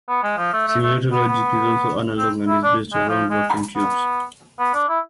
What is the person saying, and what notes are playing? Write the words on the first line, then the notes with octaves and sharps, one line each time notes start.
Simulator logic is all analog and is based around vacuum tubes.
B3
G#3
F3
A3
A3
A3
B3
B3
C4
E4
D4
G#3
F3
G#3
B3
B3
D4
E4